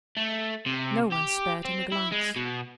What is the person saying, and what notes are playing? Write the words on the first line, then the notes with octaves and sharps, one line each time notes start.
No one spared him a glance.
A3
C3
G4
C4
E4
G#3
B2